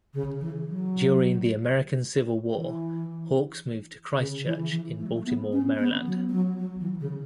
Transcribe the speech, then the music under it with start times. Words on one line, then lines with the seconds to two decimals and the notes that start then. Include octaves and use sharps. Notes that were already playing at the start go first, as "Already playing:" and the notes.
During the American Civil War, Hawks moved to Christ Church in Baltimore, Maryland.
0.14 C#3
0.40 E3
0.68 F#3
2.56 E3
4.17 C#3
4.45 E3
4.71 E3
4.99 A3
5.06 F#3
5.13 A3
5.25 B3
5.53 C#4
5.79 B3
6.06 F#3
6.29 A3
6.32 F#3
6.59 F#3
6.80 E3
7.00 C#3